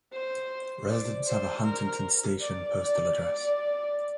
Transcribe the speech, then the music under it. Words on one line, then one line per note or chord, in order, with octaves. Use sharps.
Residents have a Huntington Station postal address.
C5
D5
C5
A#4
D5
D5
D5